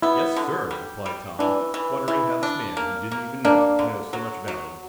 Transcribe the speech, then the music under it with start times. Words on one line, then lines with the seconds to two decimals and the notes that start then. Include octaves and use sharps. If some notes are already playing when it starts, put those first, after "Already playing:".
"Yes, sir," replied Tom, wondering how this man he didn't even know could know so much about him.
0.02 B3 E4
0.36 D3
0.71 G3
1.06 G3
1.39 E3 D4
1.74 E3
2.08 E3 E4
2.43 D4
2.77 A#3
3.11 A#3
3.45 A#3 D4
3.79 D3
4.13 F#3
4.48 F#3